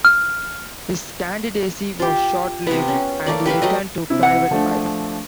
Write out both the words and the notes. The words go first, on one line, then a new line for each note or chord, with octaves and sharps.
His candidacy was short-lived and he returned to private life.
F6
F4 G4
C3 B3
C#4
A3 A#3 D5
G4 B4 E5 F5
F#3 A3 D#5
C3 E4
F#5
F3 A3 D4